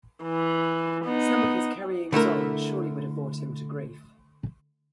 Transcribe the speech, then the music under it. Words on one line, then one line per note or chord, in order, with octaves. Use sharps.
Some of his carryings-on surely would have brought him to grief.
E3
B3 D#4
D3 A3 E4 A#4